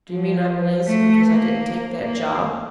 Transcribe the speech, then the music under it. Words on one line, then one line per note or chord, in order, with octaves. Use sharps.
"Do you mean I'm lazy because I didn't take that job?"
F3
A3
A#3
A#3